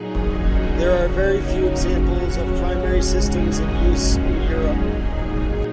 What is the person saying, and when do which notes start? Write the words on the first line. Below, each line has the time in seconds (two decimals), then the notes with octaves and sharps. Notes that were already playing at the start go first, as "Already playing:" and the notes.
There are very few examples of primary systems in use in Europe.
Already playing: A#2 F#3 D#4 G#4
0.38 C#4 F#4
0.86 C#3 F#3
1.32 A#3 D#4
1.80 C#3 F#3 C#4 F#4
2.75 C#3 G#3
3.23 D#4 G#4
3.70 A#2 G#3 C#4 F#4
4.17 D#4 G#4
4.65 A#2 F#3